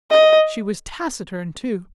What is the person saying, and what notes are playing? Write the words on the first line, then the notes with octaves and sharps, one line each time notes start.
She was taciturn, too.
D#5